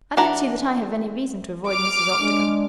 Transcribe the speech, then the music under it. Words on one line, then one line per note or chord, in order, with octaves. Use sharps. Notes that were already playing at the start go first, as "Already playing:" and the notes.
"I don't see that I have any reason to avoid Mrs. Octagon."
E3 D4 D5 F#5 A#5
D6 F6
G#3 D4